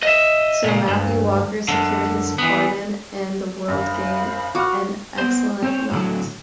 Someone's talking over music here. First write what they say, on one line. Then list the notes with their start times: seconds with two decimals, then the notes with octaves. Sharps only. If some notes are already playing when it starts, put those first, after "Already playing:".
So Matthew Walker secured his pardon, and the world gained an excellent knot.
0.03 D#5 E5
0.64 A#2 C#3
0.88 D2 G2
1.68 F#2 D3
2.38 E3 B3
3.68 F#2 D3 C5 F5 B5
4.55 F#4 D6 F6
5.18 B3 C5
5.62 C4 C5 C#5
5.91 A2 D3 F#3